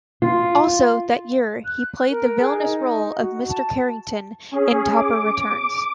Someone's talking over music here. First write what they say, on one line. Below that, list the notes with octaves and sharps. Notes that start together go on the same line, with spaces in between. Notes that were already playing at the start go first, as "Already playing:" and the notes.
Also that year he played the villainous role of Mr. Carrington in "Topper Returns".
F4
F#6
A#4
G#4
D#4
F#4
A5
C#4 G#4
D6